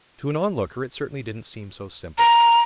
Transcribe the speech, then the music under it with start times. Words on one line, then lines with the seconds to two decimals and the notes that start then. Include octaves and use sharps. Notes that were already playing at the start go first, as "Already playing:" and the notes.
To an onlooker it certainly didn't seem so simple.
2.18 A#5